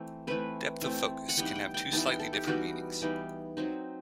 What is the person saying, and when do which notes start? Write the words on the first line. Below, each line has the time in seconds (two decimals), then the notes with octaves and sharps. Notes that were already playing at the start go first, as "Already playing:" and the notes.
"Depth of focus" can have two slightly different meanings.
Already playing: E3 A3 C4
0.27 E3 A3 C4 B4
0.82 E3 A3 C4
1.29 F#5
1.37 E3 G3 B3 D#4 G5
1.47 F#5
1.55 G5
1.74 G5
1.92 E3 G3 B3 D#4 A5
2.06 G5
2.19 A4
2.33 G4
2.47 E3 G3 B3 D#4 F#4
3.02 E3 G3 B3 D#4
3.57 F#3 C4 D#4